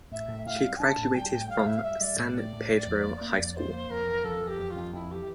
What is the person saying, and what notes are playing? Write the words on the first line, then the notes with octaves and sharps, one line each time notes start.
She graduated from San Pedro High School.
A2 E5
A2
A2 F5
G3
D4 A5
A2
G3 G5
A2
G3 F5
A2 E5
F5
G3 E5
G3 D5
A2
A2
A2
A2
F2
A#3
A#3
F2
F2 C5
A#3
F2 A#4
E3
F2 A4
E3
G4
F2
F4
F2
F2 E4
E3 G4